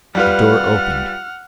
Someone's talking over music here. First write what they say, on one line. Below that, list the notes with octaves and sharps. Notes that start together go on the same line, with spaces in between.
The door opened.
G3 F4 B4 F#5 F6